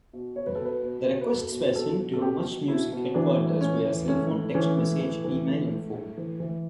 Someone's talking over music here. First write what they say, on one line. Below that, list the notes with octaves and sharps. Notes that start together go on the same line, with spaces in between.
The requests were sent to MuchMusic headquarters via cellphone text message, email, and phone.
B2
B2 C#5
B4
B2 A4
B4
B2
B2
B4
B2 A4
B2
B2 A4
B2
A4
B2 G4
B2
B2 E4
B2
E3 D4
A2
A2 C#4
E3
A2 C#4
A2
E3 C#4
A2
E3
E3
A2
A2
A2
E3
E3